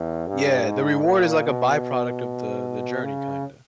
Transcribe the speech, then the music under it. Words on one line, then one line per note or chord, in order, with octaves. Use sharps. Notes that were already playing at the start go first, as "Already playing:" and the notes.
Yeah, the reward is like a by-product of the the journey kinda.
Already playing: E2
G2
G#2
A#2
B2
C#3